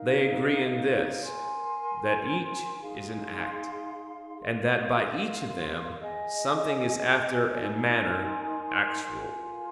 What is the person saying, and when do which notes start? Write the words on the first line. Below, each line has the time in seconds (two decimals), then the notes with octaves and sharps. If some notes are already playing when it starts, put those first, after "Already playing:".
They agree in this, that each is an act; and that by each of them something is after a manner actual.
Already playing: D#4 A#4 F5
1.22 A#4 G#5 C6
2.81 D#4 G#4 F5 C6
4.40 A#4 F5 C6
5.99 G#4 D#5 G#5
7.59 D#4 A#4 G#5 C6
9.18 F4 A#4 G#5 C6